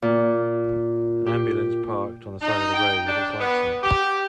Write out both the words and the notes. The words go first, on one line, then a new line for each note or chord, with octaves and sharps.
An ambulance parked on the side of a road with its lights on.
A#2
G4
D#4
G5
D4
B3
G4